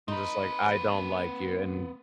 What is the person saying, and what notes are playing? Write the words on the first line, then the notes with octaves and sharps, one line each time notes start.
I'm just like, "I don't like you, and"
C4 D#4 B4